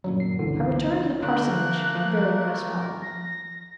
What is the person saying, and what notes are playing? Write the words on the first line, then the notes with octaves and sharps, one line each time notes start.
I returned to the parsonage, very crestfallen.
G1 F#2 A#2 F#3
C7
C#2 D3 E3
D3 A3 A#3 A#4 F#6
F3
A#6